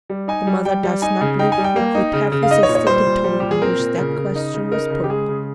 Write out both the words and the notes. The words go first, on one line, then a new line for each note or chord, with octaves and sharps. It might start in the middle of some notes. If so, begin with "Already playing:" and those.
The mother does not live who could have resisted the tone in which that question was put.
G3
D#4 G#5
G3
G3 G5
G3
D#4 G#5
C#3
D#4 G5
G#5
G3
G5
A#3
D#4
C#3
C#3
F5
D#4 D#5
C#5
A#2
C#5
G3 C5
A#2
G3
A#2 G4
G#4
C4 A#4
A#2
C#3
C#3
D#4
C#3
D#4 A#4
C#3
G4
G#3 G#4
C#3